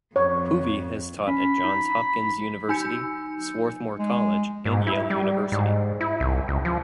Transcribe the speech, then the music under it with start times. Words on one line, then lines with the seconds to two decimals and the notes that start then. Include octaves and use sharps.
Poovey has taught at Johns Hopkins University, Swarthmore College, and Yale University.
0.16 F2 C#5
1.27 C#4 B5
1.64 D#4
2.69 D#4 G#5 E6 G6 C#7
3.99 G#3
4.65 G#2
4.87 E4
5.10 G3
5.52 G#2
6.01 E4
6.20 C2
6.48 C#2
6.65 F3